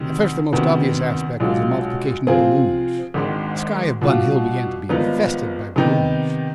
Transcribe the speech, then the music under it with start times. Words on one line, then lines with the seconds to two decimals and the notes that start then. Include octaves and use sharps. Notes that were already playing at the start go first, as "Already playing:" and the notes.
At first the most obvious aspect was the multiplication of balloons. The sky of Bun Hill began to be infested by balloons.
Already playing: D2 C3 D#3
0.53 D2 C3 D#3 B3 D4
1.40 B1 B2 G#3 D4 F4
2.27 C3 F3 C4 F4 G#4
3.14 G#1 G#2 D#3 G#3 D4
4.01 B2 G3 D4 F4
4.89 G#1 G2 F3 B3 D#4
5.76 C3 D#3 B3 D#4 G4